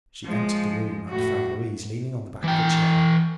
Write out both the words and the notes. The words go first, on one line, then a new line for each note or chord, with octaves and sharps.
She entered the room and found Louise leaning on the back of a chair.
F3 G#3
A2 F#4
E3 G5